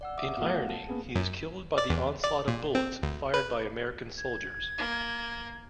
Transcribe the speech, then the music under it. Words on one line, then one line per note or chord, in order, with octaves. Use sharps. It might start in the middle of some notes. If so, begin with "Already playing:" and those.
In irony, he is killed by the onslaught of bullets fired by American soldiers.
D5 F#5 E6
E5 D6 D#6
B2 F3 A3 F5 F#5
A5
A#3 B3 G#4
F#2
D5
E2
D5
A#2
C4
D2
B4
G#6
A#3